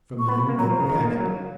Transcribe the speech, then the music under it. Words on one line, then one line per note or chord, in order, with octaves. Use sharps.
From the New York Packet.
C#6
B3 B5
A#3
F#3 A#5
F3
A#5
C#3
D#3
A#3
A#3
F#3